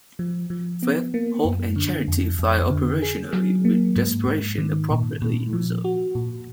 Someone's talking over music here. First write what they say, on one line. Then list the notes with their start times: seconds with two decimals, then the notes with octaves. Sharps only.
"Faith", "Hope" and "Charity" fly operationally, with "Desperation" appropriately in reserve.
0.19 F3
0.50 F3
0.82 B3
1.14 A#3
1.45 F#2
1.76 D3
2.08 F2
2.39 F2
2.70 D3
3.02 G#4
3.33 F#3
3.65 A#3
3.96 G#2
4.27 G#2
4.58 D#3
4.90 A#2
5.22 A#2
5.53 F3
5.84 F#4
6.15 A#2